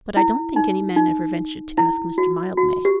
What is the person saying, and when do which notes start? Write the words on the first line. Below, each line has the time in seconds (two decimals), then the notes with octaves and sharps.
"But I don't think any man ever ventured to ask Mr. Mildmay."
0.17 E4
0.56 D#4
0.96 D#4
1.78 E4
2.18 F#4
2.57 F#4
2.85 G4